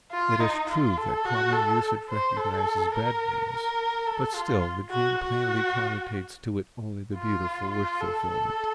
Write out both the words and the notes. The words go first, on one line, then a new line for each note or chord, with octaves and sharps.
It is true that common usage recognizes "bad" dreams, but still the dream plainly connotates to it only the beautiful wish fulfillment.
F4
D#4
F4
A4
F#4
A4
C5
A4
A#4
A#4
A4
F4
F#4
F#4
F4
F4
A4
A4